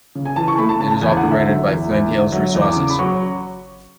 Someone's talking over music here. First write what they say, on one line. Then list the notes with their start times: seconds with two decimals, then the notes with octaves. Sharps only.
It is operated by Flint Hills Resources.
0.15 C#3
0.25 G#5
0.36 E3 A5
0.48 C#6
0.58 A3 B5
0.69 A5
0.80 C#3 A5
0.91 A5
1.01 E2 G#5
1.17 F#5
1.23 D3
1.32 E5
1.45 F#3
1.68 E2
1.89 E2
2.11 D3
2.32 F#3 E5
2.55 E2
2.61 D6
2.76 C#3 D6
2.90 B5
2.99 F#3 C#6